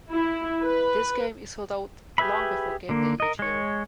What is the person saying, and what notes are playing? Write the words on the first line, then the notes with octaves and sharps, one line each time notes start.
This game is sold out long before gameday each year.
E4
B4
G4 G#4 B4 E5 B5
D3 A#3
A#4 D#5
G#3 C#5